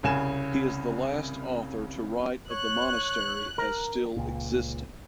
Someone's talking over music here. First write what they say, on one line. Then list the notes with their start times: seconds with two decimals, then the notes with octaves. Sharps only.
He is the last author to write of the monastery as still existing.
0.03 C2 C#3 G#5 E7
2.50 C#5 F#6
3.58 A#4
4.17 C#2 A#2